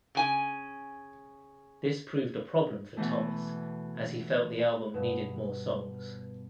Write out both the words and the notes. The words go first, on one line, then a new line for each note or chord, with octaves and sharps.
This proved a problem for Thomas as he felt the album needed more songs.
C#3 G#5
B2 E3 A3
G2 B2